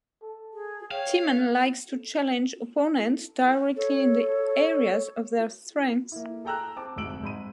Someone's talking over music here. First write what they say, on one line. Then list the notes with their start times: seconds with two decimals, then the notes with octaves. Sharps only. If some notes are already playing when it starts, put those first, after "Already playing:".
Timman likes to challenge opponents directly in the areas of their strengths.
0.22 A4
0.54 G#4
0.91 C#5 F5 G5
3.76 A4 C#5
6.12 A#3 E4
6.45 G#4 A4 G5 A#5 E6 F#6
6.76 C4 A5 D6
6.96 F1 D2 G#2 E6 D7 F#7
7.23 G#2 G#3 B5 D#7